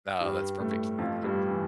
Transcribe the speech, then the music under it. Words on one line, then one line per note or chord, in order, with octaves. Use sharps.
No, that's perfect, that's perfect
G2 G3
A2 A3
F2 F3
G2 G3
E3